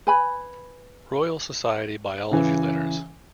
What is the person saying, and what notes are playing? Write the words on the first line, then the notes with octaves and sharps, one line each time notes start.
Royal Society Biology Letters.
B4 G#5 B5
C#3 E3